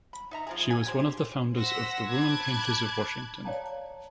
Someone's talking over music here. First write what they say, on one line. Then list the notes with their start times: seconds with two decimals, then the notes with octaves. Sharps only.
She was one of the founders of the Women Painters of Washington.
0.13 B5
0.31 D#4 E5 A#5
0.47 F3 C4 G#4
0.71 G#5
0.85 C#3 G4 C5
1.56 C5 F#5 E6 A#6 B6
2.08 A5 B5 D6 F#6 G#6
3.45 C#5 D5 F5 G5 A5 A#5